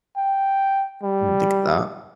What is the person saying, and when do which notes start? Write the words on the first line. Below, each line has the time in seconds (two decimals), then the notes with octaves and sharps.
didn't think of that.
0.16 G5
1.03 G3